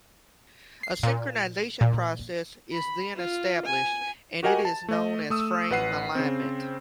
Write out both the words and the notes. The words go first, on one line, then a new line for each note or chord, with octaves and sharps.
A synchronization process is then established, and it is known as frame alignment.
C7
A#2
A#2
B5
F4
G#5
F#4 G4 A#4 D#5 F#5 G#5
A5
A3 D#5
A3 D#6 E6
A1 B4 F#5 C7 D#7
C#3 C4